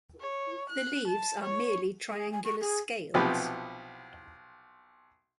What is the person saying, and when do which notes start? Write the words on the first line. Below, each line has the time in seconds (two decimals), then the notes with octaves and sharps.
The leaves are merely triangular scales.
0.20 C#5
0.70 F#6
1.08 A5
1.43 C#5
2.12 G#4
2.32 G#5
2.45 C#6
2.60 G#4
3.14 B1 C3 F3 B3 G4 B4